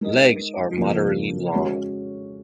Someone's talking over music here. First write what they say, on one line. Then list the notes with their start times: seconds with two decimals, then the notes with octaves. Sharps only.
Legs are moderately long.
0.01 G#3 D#4 A#4 D#5
0.77 F2 C#3 F3 A#3
1.54 G#3 C#4 F#4 C#5